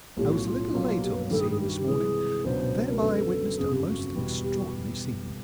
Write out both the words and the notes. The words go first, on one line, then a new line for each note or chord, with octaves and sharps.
I was a little late on the scene this morning, and thereby witnessed a most extraordinary scene.
B1 A2 F3 A3 C#4 G4
F#4
F4
B1 B2 F#3 A#3
G4
B4
G2 D#3 G3 A4
G#4
G#4
G4
F#4
G4
C3 E3 G#3 G#4
C#2 B2 F#3 B3 D4 C5
A#4
F#2 D3 F#3 B3 A4
G1 F2 C#3 G#4
G4
F#4
E2 B2 G3
G4
F#4